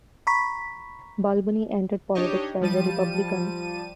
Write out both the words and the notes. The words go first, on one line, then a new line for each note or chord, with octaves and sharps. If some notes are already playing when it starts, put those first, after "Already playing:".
Balboni entered politics as a Republican.
A#5 B5 C#6 B6
D4 D#4 G4 C#5 D#5
F3 G3 A5 D#7